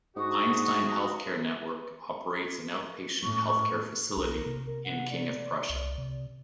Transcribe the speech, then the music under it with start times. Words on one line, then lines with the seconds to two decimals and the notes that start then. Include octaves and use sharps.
Einstein Healthcare Network operates an outpatient healthcare facility in King of Prussia.
0.16 G#2 D4 F#4 C#6 D#6
3.23 A2 C#6
4.17 B1 A#4
4.46 C3
4.85 F#5
5.10 D5
5.69 C2
5.98 C3